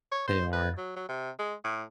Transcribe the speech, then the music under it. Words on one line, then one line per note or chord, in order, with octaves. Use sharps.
They are.
C#5
C5
B4
F#3
F#3
C3
G#3
A2